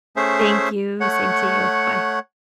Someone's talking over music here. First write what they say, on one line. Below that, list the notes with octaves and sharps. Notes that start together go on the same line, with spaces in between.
Thank you, same to you, bye.
A3 C#4 G#4 C5 E5
A3 C#5 F#5